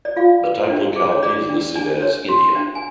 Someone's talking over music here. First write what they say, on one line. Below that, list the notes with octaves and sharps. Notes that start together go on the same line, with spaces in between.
The type locality is listed as "India".
D5
F4 F5
B4
D4
G#4
C#5
G#4 D5
D4
D4 G#5
C#5
F#4
D4
G#5